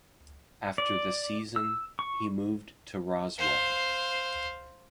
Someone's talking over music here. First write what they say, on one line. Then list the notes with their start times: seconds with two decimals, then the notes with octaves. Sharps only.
After the season, he moved to Roswell.
0.78 D5
1.56 E6
1.99 C#6
3.38 C5 F5